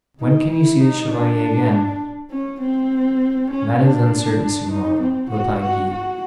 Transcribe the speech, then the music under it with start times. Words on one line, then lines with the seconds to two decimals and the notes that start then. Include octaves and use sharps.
When can you see the Chevalier again?' 'That is uncertain, Signora,' replied he.
0.21 D#4
0.51 E4
0.81 D#4
1.12 D4
2.31 C#4
2.61 C4
3.51 C#4
3.80 D4
4.71 D#4
5.01 C4
5.31 F#4
5.60 F#4
5.91 F#4